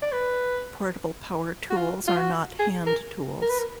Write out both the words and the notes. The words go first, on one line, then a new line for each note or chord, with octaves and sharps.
Portable power tools are not hand tools.
D5
B4
F#4
F4
F4
F#4
G#4
A#4
A#4
B4
A#4